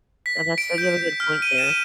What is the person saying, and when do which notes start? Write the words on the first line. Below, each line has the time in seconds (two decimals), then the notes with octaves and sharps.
And that's you have a good point there.
0.26 B6
0.58 D7
0.78 G6
1.20 F6
1.42 D#7
1.58 E7